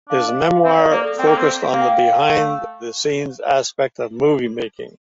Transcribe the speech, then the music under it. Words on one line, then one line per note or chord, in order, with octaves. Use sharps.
His memoir focused on the behind the scenes aspect of movie-making.
D4 F5
D#5
F5
C4 D#5
D5
A#3 D5
A4
C4 G5
A#3
C4
A#3 F5
G5
F5
G5
F5
G5
A3 F5